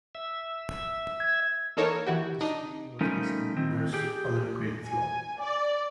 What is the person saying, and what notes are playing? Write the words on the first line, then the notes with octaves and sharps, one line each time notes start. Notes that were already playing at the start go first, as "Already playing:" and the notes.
The screen was this computer's other great flaw.
E5
G#6
E3 A#3 D#4 A4 A#4 C#5
E3 E4 F#4 G4
D4 D#4 D#5
F3 G3 A3 C#4 D#4 A#4
D#3 C4
G4 G#4
G#5
D5